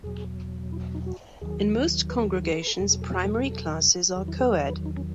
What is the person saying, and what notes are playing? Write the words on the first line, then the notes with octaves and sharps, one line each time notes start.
In most congregations Primary classes are co-ed.
E2 B2 F#3 G#4
E4
D#4
F#4
D#2 D#3 F#3 G#4
B4
A4
G#4
E4
A4
B4
A4
E2 B2 F#3 G#4
G#4
A4
G#4
A4
A4
A4
E2 D#3 F#3 G#4
E4
G#4
A4
B4
D#4
C#4